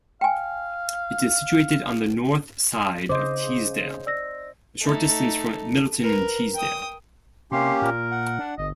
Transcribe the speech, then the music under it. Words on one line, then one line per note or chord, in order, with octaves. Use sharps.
It is situated on the north side of Teesdale, a short distance from Middleton-in-Teesdale.
F5 G5 G#5
C#3 C5 D#5 D6
D5 E6 A#6
A3 D#4
A#4 B4
G5 D#6
C3 A#3 C#4 G4 C6
A#2 A#4
F#5
D4
G1 D#5